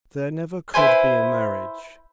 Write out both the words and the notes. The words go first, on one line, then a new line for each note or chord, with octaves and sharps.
There never could be a marriage.
E4 B4 C5 G#5